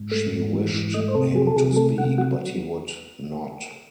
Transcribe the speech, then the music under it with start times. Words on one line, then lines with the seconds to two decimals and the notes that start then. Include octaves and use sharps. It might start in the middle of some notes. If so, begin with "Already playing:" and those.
She wished him to speak, but he would not.
Already playing: G#2
0.11 A3
0.32 G#2
0.53 E3
0.74 G#2
0.94 A3 D#5
1.08 C5
1.15 C3 A4
1.35 F#3 G#4
1.47 A4
1.56 C3 G#4
1.76 A3 A4
1.98 C3 F#5
2.18 F#3 F#5